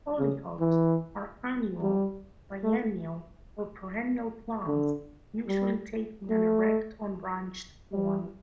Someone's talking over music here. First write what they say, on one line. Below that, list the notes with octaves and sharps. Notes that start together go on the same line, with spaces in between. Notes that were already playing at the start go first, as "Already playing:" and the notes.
Hollyhocks are annual, biennial, or perennial plants usually taking an erect, unbranched form.
C#3
E3
G3
A3
D3
G3
A3
G3